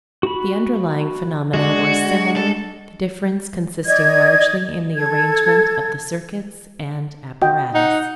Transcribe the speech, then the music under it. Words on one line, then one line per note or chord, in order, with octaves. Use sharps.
The underlying phenomena were similar, the difference consisting largely in the arrangement of the circuits and apparatus.
F#4 B5
G#3 D4 F#4
A4
D5 D#5 G#6
A4 G#6
F#4 D#5 G5
D#4 F#5